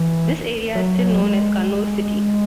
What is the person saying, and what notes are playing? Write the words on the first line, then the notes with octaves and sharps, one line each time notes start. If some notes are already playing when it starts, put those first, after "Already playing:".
This area is still known as Kannur City.
Already playing: E3
F#3
G#3